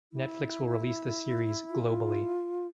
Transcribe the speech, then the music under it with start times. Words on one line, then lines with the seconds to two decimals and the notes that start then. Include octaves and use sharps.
Netflix will release the series globally.
0.12 E4
1.70 F4